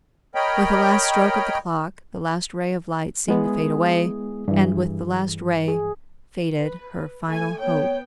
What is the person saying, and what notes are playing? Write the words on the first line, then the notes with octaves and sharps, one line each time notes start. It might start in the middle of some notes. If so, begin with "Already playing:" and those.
With the last stroke of the clock, the last ray of light seemed to fade away; and with the last ray faded her final hope.
A#4 C#5 D#5 G5 B5
G#3 B3 E4 G#4
G2 E3
G#4
B4
A3 G#5
B3 C#5 G5